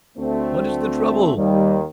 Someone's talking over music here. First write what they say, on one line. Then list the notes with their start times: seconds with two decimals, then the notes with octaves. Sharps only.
"What is the trouble?"
0.17 D2 A3 C4
1.36 D#2 D#3 G3